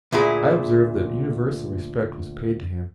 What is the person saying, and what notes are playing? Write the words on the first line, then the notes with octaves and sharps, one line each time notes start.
I observed that universal respect was paid to him.
D2 A#2 E4 G#4